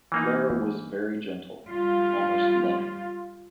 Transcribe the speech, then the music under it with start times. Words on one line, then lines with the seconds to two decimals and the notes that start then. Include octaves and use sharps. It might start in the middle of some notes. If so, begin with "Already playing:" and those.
Clara was very gentle, almost loving.
0.12 E3 A#3 D#4
1.64 G3 F4